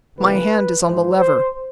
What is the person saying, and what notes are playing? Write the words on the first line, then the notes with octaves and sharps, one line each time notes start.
My hand is on the lever.
D2 C3 E3 G3 A#3 B4
G#2 E3 G#3 C5
C5